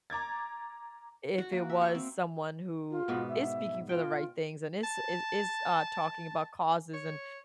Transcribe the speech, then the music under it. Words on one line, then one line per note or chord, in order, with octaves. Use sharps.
if it was someone who is speaking for the right things, and is is is, uh, talking about causes and
A#5 D6 G#6 A6
F#4
A#3
E5
C#6
C4
F4
G#2 B2 B3
E5
F4 G5
A5
C#5